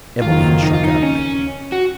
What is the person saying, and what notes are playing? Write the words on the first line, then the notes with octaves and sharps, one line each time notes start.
Emily had shrunk out of my view.
F#1 F2 D#3 F#3 A#3 F4
D#4
F4
D#4
C#4
F#4